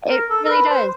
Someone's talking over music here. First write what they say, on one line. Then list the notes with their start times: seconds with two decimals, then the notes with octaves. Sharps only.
It really does.
0.09 A#4
0.29 A4
0.45 A#4
0.49 B4
0.69 C5